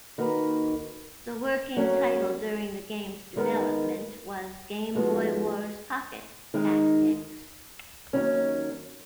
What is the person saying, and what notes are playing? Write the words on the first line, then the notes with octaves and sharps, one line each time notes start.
The working title during the game's development was "Game Boy Wars Pocket Tactics".
D#3 A#3 D#4 F#4 B4
F#3 A#3 C#4
D#3 G#3 B3 D#4 A#4
G#2 F3 G#3 B3 F#4
D#3 G#3 D#4
D#2 D#3 F#3 C#4